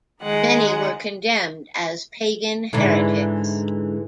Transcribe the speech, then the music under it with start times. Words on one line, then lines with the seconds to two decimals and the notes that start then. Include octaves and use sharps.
Many were condemned as pagan heretics.
0.19 D#3 G#3 F#5
2.73 G#2 D3 E3